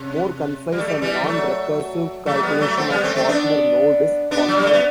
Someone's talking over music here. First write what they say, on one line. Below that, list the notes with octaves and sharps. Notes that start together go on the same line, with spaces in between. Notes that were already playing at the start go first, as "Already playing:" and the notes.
More concise and non-recursive calculation of partner node is possible.
Already playing: C3
G3
A3
G3
A3
E3 G3
F#3 A3
F#3 A3
G3 B3
F#3 A3
A3 C4
G3 B3
A3 C4
A3 C4
B3 D4
B3 D4
F#3
G3
A3
B3